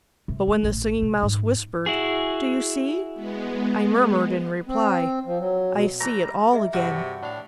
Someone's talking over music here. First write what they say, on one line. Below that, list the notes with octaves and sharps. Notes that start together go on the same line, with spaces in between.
But when the Singing Mouse whispered, "Do you see?" I murmured in reply, "I see it all again!"
C3
A3
A1
C3
G#2
E4 F#4 G#4
G#3 B3
C4
F3
F#3
B2
E3 A3 A#5
G3
G#4 D#5 E5
G2 C3 E3 F#4
A2 D4 F5